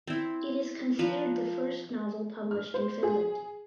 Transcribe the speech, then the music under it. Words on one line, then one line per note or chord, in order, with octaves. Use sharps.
It is considered the first novel published in Finland.
C4 E4
F3 B4 A#5
F6
C5
G#4